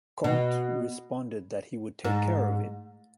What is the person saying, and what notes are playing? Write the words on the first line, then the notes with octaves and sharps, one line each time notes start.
Conte responded that he would take care of it.
B2
G#2